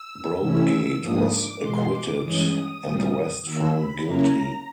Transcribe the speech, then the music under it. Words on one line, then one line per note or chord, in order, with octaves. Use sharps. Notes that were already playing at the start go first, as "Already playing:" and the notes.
Broadgate was acquitted, and the rest found guilty.
Already playing: E6
C3 E3 A3 C#4 E4 E6
G#2 F3 A#3 D4 D#6
D6
E2 B2 G#3 C6
D6
G2 E3 G#3 C#4 D#6
A#2 G3 C4
D#3 F#3 A#3 E6
B5
C#3 F#3 A#3 C#4 E4 A#5